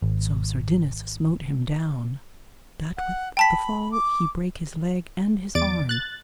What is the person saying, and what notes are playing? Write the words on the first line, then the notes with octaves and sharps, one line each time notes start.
So sir Dinas smote him down, that with the fall he brake his leg and his arm.
G#1
F#5
G5 A5 B5 B6
D6
E2 D5 A6 D7
F#6 A6